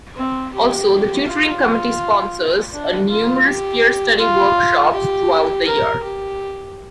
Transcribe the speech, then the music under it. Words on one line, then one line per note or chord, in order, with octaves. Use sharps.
Also, The Tutoring Committee sponsors numerous Peer Study Workshops throughout the year.
C4
G4
F4
D4
F4
G4
F4
G4
A#4
G4